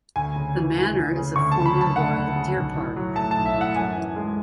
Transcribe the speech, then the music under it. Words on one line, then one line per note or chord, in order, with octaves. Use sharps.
The manor is a former royal deer park.
D2 G#5
C#3
E3
D2
D2
C#3
D2 C#6
C#3 A5
B5
F#3
A5
A3 F#5
D2
C#3
B1
A2
F#3
A3 A5
A5
B1
E5
A2
F#5
F#2 G#5
E3
G#3